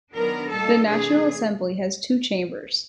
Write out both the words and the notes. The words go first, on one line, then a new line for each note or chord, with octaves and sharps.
The National Assembly has two chambers.
D#3 F#3 B3 D4 A#4
A#2 G3 A#3 D#4 A4
C3 E3 A3 D4 G#4